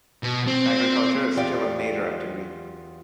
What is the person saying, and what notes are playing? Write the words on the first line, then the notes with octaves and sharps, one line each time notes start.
Agriculture is still a major activity.
B2
C4
E2 F4 G4 D5 F5 G5